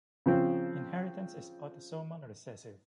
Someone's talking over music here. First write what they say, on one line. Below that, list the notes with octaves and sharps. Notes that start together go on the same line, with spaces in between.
Inheritance is autosomal recessive.
C#3 F3 C4